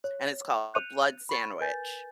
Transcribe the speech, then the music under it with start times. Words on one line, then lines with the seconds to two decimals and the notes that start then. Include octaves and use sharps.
and it's called Blood Sandwich,
0.04 C#5
0.74 F#6 G6 C#7 D#7 F7
1.29 B5 C#6 A6
1.60 A#4 B4 G#5 G6 A6